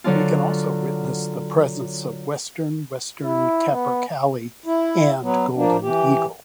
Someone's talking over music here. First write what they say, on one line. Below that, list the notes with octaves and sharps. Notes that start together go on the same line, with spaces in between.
We can also witness the presence of western western capercaillie and golden eagle.
D3 F#3 D4 F4
E4
B3
E4
F#3 B3
F3 A#3 D4
E3 G4